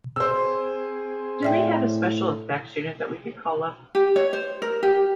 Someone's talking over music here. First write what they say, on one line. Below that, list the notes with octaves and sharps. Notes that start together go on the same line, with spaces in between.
Do we have a special effects unit that we can call up?
C4 G#4 C5 E6
A2 D5 E5 G5
G4
C#5
C5
A#4
G4